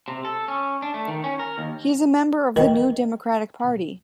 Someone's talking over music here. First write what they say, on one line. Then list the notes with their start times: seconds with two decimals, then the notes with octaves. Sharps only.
He is a member of the New Democratic Party.
0.08 C3
0.25 A4
0.48 C#4
0.82 D4
0.94 A3
1.08 D#3
1.24 C#4
1.39 A#4
1.58 D#2
2.56 D#3